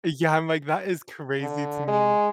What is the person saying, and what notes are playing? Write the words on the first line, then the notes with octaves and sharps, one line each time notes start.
Eh, yeah, I'm like that is crazy to me.
D3
G#3